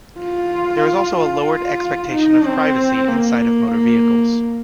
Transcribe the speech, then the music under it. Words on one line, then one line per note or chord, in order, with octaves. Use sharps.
There is also a lowered expectation of privacy inside of motor vehicles.
F4
F4
D#4
C4
A#3
A#3